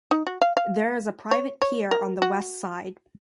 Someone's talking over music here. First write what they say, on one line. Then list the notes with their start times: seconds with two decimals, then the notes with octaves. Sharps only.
There is a private pier on the west side.
0.11 D#4
0.27 F#4
0.42 F5
0.57 F5
1.31 C#5
1.62 C#5
1.91 A#4
2.22 F#4